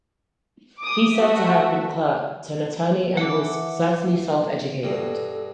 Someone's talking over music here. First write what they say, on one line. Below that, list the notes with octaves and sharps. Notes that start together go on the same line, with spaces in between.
He is said to have been clerk to an attorney, and was certainly self-educated.
D6 D#6
A3 F#4 E5
E3 A4 F#5 D6
G2 B2 A4